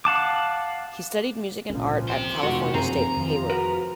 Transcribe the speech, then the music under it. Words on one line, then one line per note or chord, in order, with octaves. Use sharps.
He studied music and art at California State, Hayward.
F5 F#5 A5 D6
G#1 C#2 A#2 F3 C#4
G4 C5
F1 D#2 F3 F#4
F#2 C4 G#4 A#5
F2 D#3 F3
F#4 A#4 B4